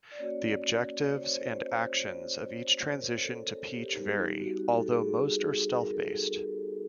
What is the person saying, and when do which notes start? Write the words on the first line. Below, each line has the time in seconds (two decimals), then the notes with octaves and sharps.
The objectives and actions of each transition to Peach vary, although most are stealth-based.
0.11 D5
0.18 A#3 C#4 F#4 C#5
1.13 C5
1.21 C#5
1.32 C5
3.00 A#4
3.23 A4
3.46 A#4
3.70 G4
3.93 G3 B3 D#4 G4
4.41 F#4
4.78 A4
4.86 G#4
5.80 A#4
5.94 A4
6.09 A#4